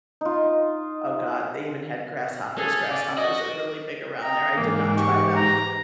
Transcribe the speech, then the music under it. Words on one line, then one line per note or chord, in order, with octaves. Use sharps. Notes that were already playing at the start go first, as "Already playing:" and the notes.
Oh god, they even had grasshoppers. Grasshoppers are really big around there. I did not try them,
D#4 F4
C#4 G#4 A4
D5
F#4 D#5 D6
D#5 G5 A#5
G#2 E3 A#3
G4 C#6
A#5